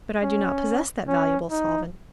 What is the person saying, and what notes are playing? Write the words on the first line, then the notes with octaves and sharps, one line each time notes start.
But I do not possess that valuable solvent.
C#4
C#4
D#4